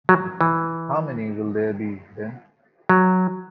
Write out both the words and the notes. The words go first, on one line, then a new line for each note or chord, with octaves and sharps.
How many will there be, then?
F#3
E3
F#3